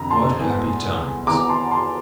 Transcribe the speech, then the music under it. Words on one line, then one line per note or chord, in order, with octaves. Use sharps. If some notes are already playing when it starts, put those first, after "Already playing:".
What happy times!
Already playing: F2 D3 A#5
A5 C6
E2 E3
E2 E3 A#5 D6
A5 C6
A5 C6